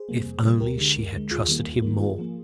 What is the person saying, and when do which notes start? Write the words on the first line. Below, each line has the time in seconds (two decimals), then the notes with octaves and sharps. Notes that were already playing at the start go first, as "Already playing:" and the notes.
If only she had trusted him more!
Already playing: G#4 C5
0.09 C3 G3 A#3
0.26 F2
0.43 C3 G3 A#3
0.60 D2 G4 A#4
0.78 D3 G#3
0.96 D2
1.13 D3 G#3
1.31 D#2 F4 G#4
1.48 D#3 G3 A#3
1.65 D#2
1.82 D#3 G3 A#3
2.00 G#2 F4 G#4
2.18 F3 A#3